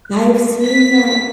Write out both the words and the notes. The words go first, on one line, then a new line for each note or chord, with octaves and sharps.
I've seen that.
B6